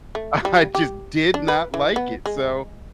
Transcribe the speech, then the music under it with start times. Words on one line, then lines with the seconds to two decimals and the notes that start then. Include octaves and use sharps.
I just did not like it, so
0.15 A3
0.45 G3
0.75 G4
1.34 D4
1.48 B4
1.74 E3
1.96 B3
2.26 G#3